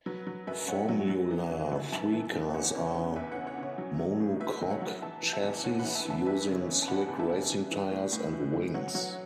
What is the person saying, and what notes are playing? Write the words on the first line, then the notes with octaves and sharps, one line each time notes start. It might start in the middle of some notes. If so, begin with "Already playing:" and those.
Formula Three cars are monocoque chassis, using slick racing tyres and wings.
F#3 B4
F#3
F#2 B4 E5
F#2 C#5 F#5
F#3
F#3
E3
E3
F#2
F#2 E5 A5
E3
E3
E2 C#5 F#5
C#3 C#5
E3 C#5
E2 B4 E5
C#5 F#5
E2
C#5 F#5
C#3
C#5
F#3
F#3
A2
A2 B4 E5
F#3
C#5 F#5
F#3
E3 E5 A5
E3
E5 A5
E2
E2 C#5 F#5
F#5 B5
E3
E5 A5
E3
E5 A5
E2 B4 E5
C#3
C#5
E3
A5
E2 F#5 B5
E2
E5 A5
C#3
E3
E3
A2
A2
E3
E3
F#3 C#5 F#5
F#3 C#5 F#5